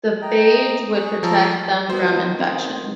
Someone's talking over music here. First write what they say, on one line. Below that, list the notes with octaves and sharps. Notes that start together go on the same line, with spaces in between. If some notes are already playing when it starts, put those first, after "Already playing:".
The phage would protect them from infection.
D#5 G5 A#5
G#4 C#6 F#6
F3 A4 C#5 A#5
D#3 B3 F#4 C5
C4